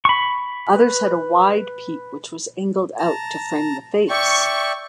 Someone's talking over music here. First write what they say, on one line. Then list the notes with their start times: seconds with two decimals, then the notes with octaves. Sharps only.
Others had a wide peak which was angled out to frame the face.
0.05 B5 C#6
0.75 B4
2.99 A5 A#5
4.10 D5 E5 G5 C#6